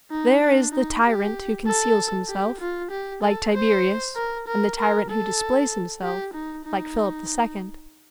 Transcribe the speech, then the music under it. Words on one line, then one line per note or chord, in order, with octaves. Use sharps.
There is the tyrant who conceals himself, like Tiberius; and the tyrant who displays himself, like Philip II.
D#4
D4
D#4
G4
A4
G4
F4
G4
A4
C5
A#4
A#4
A#4
A4
G4
D#4
D#4